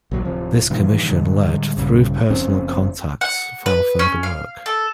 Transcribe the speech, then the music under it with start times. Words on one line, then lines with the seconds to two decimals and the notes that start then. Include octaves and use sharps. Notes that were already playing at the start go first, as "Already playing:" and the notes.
This commission led, through personal contacts, for further work.
0.11 A#1 F#3
0.25 D1 C3 F3
0.70 G2 A#2 D#3 E3
1.09 A2 D3 G3 G#3
1.77 A#1 G2 C#3
2.30 F#1 F3 C4 C#4
3.21 F#5
3.66 B4
3.99 C#4
4.23 F5
4.66 A4